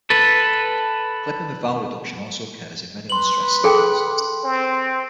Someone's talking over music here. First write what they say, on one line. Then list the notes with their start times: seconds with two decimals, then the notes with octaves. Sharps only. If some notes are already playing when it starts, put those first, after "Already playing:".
Clipping with vowel reduction also occurs in many unstressed syllables.
0.10 A4 B4
3.10 B4 C6 F#7
3.64 G#4 A4 G5
4.44 C4